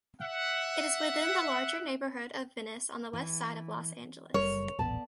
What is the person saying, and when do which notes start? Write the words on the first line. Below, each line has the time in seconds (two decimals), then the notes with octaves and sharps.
It is within the larger neighborhood of Venice on the westside of Los Angeles.
0.21 E5 F#5
3.13 E3
4.34 F#1 G3 A#4 C#5
4.79 D#1 A1 B3 D5 A5